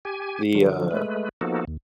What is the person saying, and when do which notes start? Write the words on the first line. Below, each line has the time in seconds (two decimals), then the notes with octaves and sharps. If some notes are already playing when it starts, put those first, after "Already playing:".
the, uh
0.05 G4 G#5
0.55 D3 F3 F#3
0.91 G#3 A3 B4
1.41 F3 A#3 B3 D#4 F#4 A4
1.67 D#2